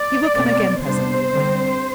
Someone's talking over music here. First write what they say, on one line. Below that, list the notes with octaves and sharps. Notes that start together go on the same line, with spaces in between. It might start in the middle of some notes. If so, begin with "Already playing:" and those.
He will come again presently.
Already playing: D5
B2 A3 C4
C3 G3 B3 D4 C5
D3 G3 C4